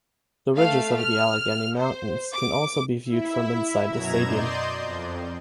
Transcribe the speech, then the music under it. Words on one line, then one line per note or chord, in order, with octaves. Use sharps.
The ridges of the Allegheny Mountains can also be viewed from inside the stadium.
A3 F5
F6
C5
D6
E4 E5
F#2 B2 A#5 G#6 E7
D5 D#5 C6 G6
F2